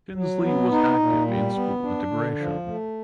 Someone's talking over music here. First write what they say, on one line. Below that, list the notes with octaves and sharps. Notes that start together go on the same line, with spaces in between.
Tinsley was active in school integration.
F#3
B3
D#4
A#2
G3
B3
D4
D3
F3
A3